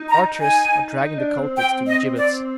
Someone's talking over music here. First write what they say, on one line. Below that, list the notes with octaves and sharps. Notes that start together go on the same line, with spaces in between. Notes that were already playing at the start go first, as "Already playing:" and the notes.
The archers are dragging the culprits to the gibbets.
Already playing: D#4
A#5
G#5
D#4
D4
C4
G5
D#5
D5